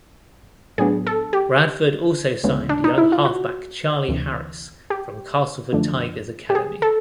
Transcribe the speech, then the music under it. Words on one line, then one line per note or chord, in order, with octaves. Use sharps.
Bradford also signed young halfback Charlie Harris from Castleford Tigers academy.
A2 F#3 B3 D4 G#4
A4
G4
D2 C#3 E3 G#3 B3
D4
D#4
E4
F4
F#4
D2 C3 E3
G4
F#2 D3 F3 A3 D4
G4
G#4
A4